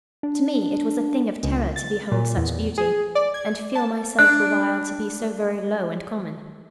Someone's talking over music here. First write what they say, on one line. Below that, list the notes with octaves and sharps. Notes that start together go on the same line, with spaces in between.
To me it was a thing of terror to behold such beauty, and feel myself the while to be so very low and common.
D4
C#2
A6
A#2
E2
G#4
D5
G#6
A5
D4 F#6